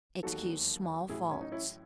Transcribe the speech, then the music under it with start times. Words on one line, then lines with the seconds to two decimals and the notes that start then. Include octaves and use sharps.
Excuse small faults.
0.23 E1 D#2 D#3 F#3 F#4 A4
1.09 A1 A2 F#3 E4 G#4
1.31 C#4
1.41 D#4
1.52 C#4 E4